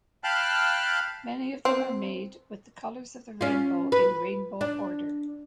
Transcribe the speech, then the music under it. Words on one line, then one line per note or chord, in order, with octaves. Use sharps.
Many of them are made with the colors of the rainbow in rainbow order.
F5 G5 A5 B5 F6 F#6
C4
C#4 F4
B4
D4